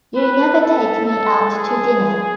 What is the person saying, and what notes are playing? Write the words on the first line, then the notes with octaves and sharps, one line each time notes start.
You never take me out to dinner.
B4
A4
A4
G#4